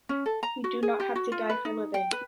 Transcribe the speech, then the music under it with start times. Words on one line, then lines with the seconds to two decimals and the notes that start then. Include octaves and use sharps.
We do not have to die for living.
0.09 C#4
0.26 A4
0.43 A#5
0.64 F#4
0.83 G#4
1.00 G4
1.16 F#4
1.32 F4
1.50 B4
1.65 D#4
1.94 G5
2.12 B4